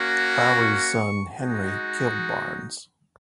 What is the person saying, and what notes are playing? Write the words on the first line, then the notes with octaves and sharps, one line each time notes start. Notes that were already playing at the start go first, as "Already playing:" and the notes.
Lowrey's son Henry killed Barnes.
Already playing: A#3 C#4 F#4
C#6
G#3 D#4 F#4